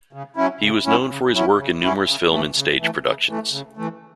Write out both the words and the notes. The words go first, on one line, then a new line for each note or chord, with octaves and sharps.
He was known for his work in numerous film and stage productions.
C#3
F#3 C#4 E4
C#3
F#3 C#4 E4
C#3
F#3 C#4 E4
C#3
F#3 C#4 E4
C#3
E3 A3
C#3
E3 A3
C#3
E3 A3
C#3
E3 A3